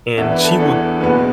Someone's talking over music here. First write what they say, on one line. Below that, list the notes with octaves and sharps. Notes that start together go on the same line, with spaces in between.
and she would
E2 E3 D4 E5
B4
A4
E2 E3 D4
F#1 E2 B2 B3 B4